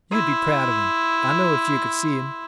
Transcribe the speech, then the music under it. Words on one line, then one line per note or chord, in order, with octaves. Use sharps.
You'd be proud of him, I know, if you could see him.
E4 C6